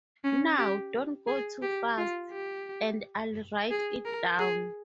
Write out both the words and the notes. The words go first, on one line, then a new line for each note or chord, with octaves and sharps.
Now don’t go too fast — and I’ll write it down.
C#4
G4
G#4
G4
F4
G4
G#4
A#4
G#4